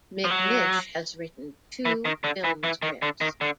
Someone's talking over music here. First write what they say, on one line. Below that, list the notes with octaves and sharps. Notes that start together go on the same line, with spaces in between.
McNish has written two film scripts.
F3
F#3
E3
D#3
D3
E3
E3
D#3
D3
D#3
D3